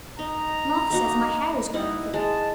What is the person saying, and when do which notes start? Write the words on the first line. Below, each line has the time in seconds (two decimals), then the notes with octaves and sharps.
Martha says my hair is growing thicker.
0.19 D#4 A#5
0.90 A#3 D#4 F#4
1.74 D#4 E4 F#5
2.14 G#3 A5